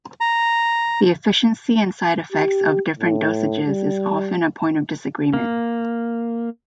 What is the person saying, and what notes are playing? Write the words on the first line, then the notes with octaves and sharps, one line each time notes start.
The efficiency and side effects of different dosages is often a point of disagreement.
A#5
G4
A2
G3
A#3